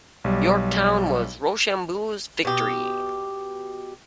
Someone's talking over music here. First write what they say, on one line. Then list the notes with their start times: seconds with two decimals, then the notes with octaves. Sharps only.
Yorktown was Rochambeau's victory.
0.24 B1 G3
2.45 B2 G4